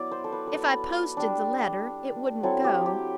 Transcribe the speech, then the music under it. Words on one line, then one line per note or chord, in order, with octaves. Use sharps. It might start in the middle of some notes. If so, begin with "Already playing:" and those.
If I posted the letter, it wouldn't go.
Already playing: F#3 B3 E4 D5
C5
A4
B4
A4
B4
G3 D4
F#3 C4 E4 A4
G4
G4